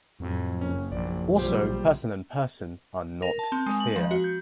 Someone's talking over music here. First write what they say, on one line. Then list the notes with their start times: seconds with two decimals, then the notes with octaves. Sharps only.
Also, Person and Person are not clear.
0.20 F2 A2 F#3
0.61 F#1 C#3 A#3 C#4
0.92 A#1 D5
1.37 B1 G3 F4 G4 C5
3.22 A#4
3.39 A5
3.52 C4
3.66 G#3
3.80 F#7
3.96 F3
4.11 F#4
4.24 G6